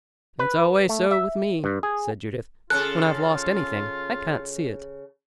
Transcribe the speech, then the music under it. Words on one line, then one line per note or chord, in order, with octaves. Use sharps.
"It's always so with me," said Judith, "when I've lost anything, I can't see it."
B4
A3
E5
G2
G#4
C#3 F4 A4 F#6